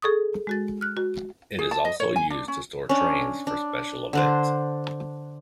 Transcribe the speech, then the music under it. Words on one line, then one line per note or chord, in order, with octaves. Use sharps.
It is also used to store trains for special events.
G#4 A4 C#6 D#6
G#3 F#4 A6
F6 F#6
F#4
G#4
A5
D#5
C#5
G#5
D4
C#4
C#4 D4
D4
D3 D4 C5